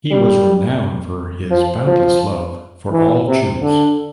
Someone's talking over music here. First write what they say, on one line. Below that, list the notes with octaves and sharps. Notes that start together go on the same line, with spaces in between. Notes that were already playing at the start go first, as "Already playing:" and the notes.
He was renowned for his boundless love for all Jews.
G3
F3
F3
E3
C3
D3